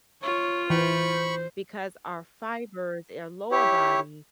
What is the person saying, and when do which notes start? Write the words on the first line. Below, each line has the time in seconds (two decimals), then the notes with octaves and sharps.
because our fibers in our lower body
0.23 F4 C#5
0.70 E3 C5 B5 C#6
3.51 E4 G4 C#5